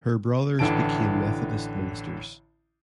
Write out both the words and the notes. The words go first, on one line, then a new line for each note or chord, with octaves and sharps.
Her brothers became Methodist ministers.
A1 D3 E3 A5 D7